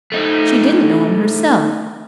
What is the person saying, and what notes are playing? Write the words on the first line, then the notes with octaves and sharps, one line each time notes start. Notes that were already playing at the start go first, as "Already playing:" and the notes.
She didn't know 'em herself.
A3 D#4